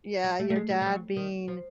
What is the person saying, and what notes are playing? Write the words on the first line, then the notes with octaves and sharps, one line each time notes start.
yeah, your dad being
G3
A3
A3
G#3
G3
G3
F#3
D#3
F3